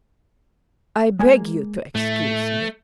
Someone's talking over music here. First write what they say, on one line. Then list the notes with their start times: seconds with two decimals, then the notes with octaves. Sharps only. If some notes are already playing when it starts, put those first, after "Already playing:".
I beg you to excuse me...
1.19 G#3 A#3 G#5
1.95 A2 A3